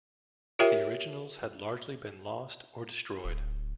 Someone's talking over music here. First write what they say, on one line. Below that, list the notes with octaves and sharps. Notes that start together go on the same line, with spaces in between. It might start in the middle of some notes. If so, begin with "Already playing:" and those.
The originals had largely been lost or destroyed.
F4 G4 A#4 C#5 E5 G5
D1